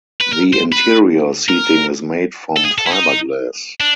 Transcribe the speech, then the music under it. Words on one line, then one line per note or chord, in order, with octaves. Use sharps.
The interior seating is made from fiberglass.
B4
A#4
C5
B4
A#4
A4
G#4
A4
E4
D#4
D4